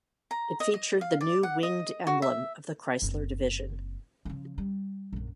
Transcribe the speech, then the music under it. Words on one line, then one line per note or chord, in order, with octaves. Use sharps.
It featured the new winged emblem of the Chrysler division.
A#5
D#5
D#5
F5
D5
F#5
D#5
F#4
E5
F#1 C4
C#3 F3
G3
A#1 F#2